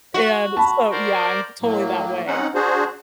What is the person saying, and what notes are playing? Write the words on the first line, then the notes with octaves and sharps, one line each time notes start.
and so, yeah, I'm totally that way.
F#4
A5 B5
A#4 C5 D5
A2 F#3 A#3
C4 C#4 D#4 F#5
D4 F#4 G#4 C5